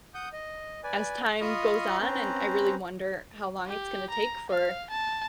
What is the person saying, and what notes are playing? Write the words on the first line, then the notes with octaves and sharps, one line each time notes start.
as time goes on, and I really wonder how long it's gonna take for
F#5 D#6 G6
D#5
B4 D5 G#5
F4 D#5 B5 C#6 D#6 F6
C4 C#4 B4 C5 A#5
G4
A#5
F5
A5